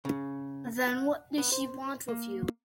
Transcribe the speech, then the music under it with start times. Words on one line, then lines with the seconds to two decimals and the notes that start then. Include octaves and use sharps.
Then what does she want with you?
0.05 C#3
0.87 F#5
1.38 B3
1.52 C5
2.08 A#3